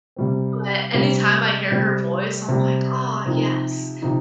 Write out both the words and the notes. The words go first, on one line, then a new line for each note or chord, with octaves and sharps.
but anytime I hear her voice I'm like, "Ah yes,
C3 G3 C4
C3 G3 C4
C3 G3 C4
C3 G3 C4
C3 F3 C4 D#4
C3 F3 C4 D#4